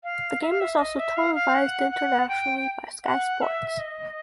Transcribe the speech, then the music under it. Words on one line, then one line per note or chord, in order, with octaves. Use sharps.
The game was also televised internationally by Sky Sports.
F5
E5
F5
E5
D#5
E5
F5
F5
F#5
F#5
G5
F#5
E5
D#5